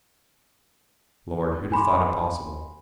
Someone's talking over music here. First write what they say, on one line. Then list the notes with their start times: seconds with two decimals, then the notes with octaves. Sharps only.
"Lord--who'd have thought it possible!"
1.72 G#5 B5 C6 D6